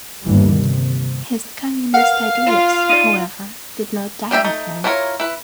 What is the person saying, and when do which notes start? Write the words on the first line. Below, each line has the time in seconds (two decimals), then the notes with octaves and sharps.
His communist ideals, however, did not die with him.
0.24 G1 D#2 E3 G3
0.58 C3
1.94 A#4 B4 F5 F#5
2.46 F4
2.89 D#4 D5 D#7
4.31 G3 D4 G4 E5
4.44 A3 D#4
4.84 D4 E4 F4 A#4 C#5
5.20 E4 B4